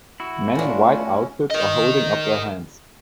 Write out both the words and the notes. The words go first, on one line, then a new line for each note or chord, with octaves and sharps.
Men in white outfits are holding up their hands.
E4 F#4
A3 C#4 D4 F4
A#4 D#5